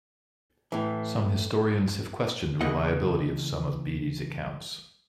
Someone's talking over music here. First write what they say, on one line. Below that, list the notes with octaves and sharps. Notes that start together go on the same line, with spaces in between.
Some historians have questioned the reliability of some of Bede's accounts.
A2 E3
C#3 E3 A#3 D#5 F#5